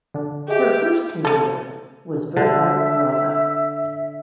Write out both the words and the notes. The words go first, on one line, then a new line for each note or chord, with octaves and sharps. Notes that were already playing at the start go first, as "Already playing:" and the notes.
Her first commander was Bernhard Rogge.
D3 D4
G4 G#4 D#5 E5
A3 A4
D3 E5